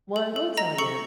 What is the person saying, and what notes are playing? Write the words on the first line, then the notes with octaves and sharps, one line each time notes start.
Well, I will tell you,
A4
A4
D#5 A#5 A#6
A4 C#6 C#7